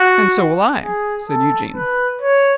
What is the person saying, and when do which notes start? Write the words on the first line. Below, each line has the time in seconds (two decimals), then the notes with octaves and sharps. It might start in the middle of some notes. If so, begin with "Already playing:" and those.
'And so will I,' said Eugene.
Already playing: F#4
0.82 G#4
1.28 A4
1.75 B4
2.22 C#5